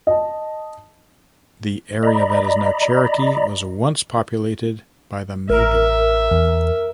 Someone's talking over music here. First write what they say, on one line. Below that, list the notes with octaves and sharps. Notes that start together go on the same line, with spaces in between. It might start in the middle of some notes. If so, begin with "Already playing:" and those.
The area that is now Cherokee was once populated by the Maidu.
D#5 A5
D5 D#5 A#5 B5
A1 A#4 E5
E2